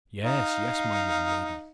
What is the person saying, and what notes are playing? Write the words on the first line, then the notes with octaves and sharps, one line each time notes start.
Yes--yes, my young lady!
D#4 F5